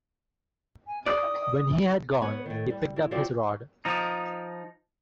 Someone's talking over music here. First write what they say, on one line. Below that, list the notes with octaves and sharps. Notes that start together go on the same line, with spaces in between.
When he had gone, he picked up his rod.
G#5
D5 D#6
B3 B4 C#5
A2 D#3
G3
E3
F3 F#3 C4 G4 D5
F3 D#4